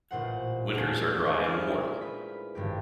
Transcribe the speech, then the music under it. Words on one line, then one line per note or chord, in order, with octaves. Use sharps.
Winters are dry and warm.
A1 A#2 C5 F#5
G#3 A3 D4 F4 G#4
D4 D#4 G#4 C5 D#5
E4 A#4 F5
B4 B6
G#1 G2 G4